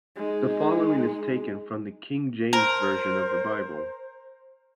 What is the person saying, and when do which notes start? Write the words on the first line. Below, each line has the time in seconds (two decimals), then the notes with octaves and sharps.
The following is taken from the King James Version of the Bible.
0.16 G#3 D#4
2.53 A#4 C5